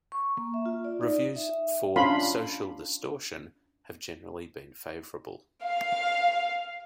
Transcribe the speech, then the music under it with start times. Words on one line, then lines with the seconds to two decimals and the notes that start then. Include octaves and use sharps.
Reviews for "Social Distortion" have generally been favorable.
0.12 C#6
0.37 A#3
0.54 E5
0.66 F4
0.85 D5
1.01 D#4
1.36 E5
1.96 C#4 D4 F4 F5 B5 C6
5.63 F5